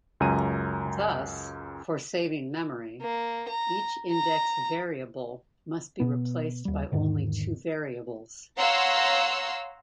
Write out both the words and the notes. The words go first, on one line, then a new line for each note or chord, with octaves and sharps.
Thus, for saving memory, each indexed variable must be replaced by only two variables.
C#2 F#2 G#5 A#5 D#7
A#3
A#5
A#5
B2 B3
D#2 G3
E1 G#2 D3 D#3
C#5 F5 F#5 A#5 C6 E6